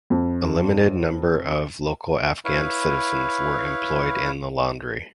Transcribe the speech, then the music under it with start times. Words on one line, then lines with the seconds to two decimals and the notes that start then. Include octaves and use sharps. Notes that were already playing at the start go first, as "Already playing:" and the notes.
A limited number of local Afghan citizens were employed in the laundry.
0.10 F2
2.45 E4 B4 C#5 F5